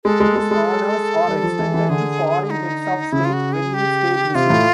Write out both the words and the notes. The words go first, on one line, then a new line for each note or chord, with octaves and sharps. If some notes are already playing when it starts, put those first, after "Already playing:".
These honors are extended to foreign heads of state when in State visit.
G#3 A4
G#3
G#3
G#3
G3
F3
E3
E3
D3 G#4
D#4
C#3 E4
F4
F#4
G#4
G4
C3 F4
A2